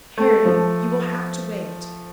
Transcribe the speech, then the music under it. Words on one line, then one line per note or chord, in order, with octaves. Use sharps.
Harry, you will have to wait.
A3
F3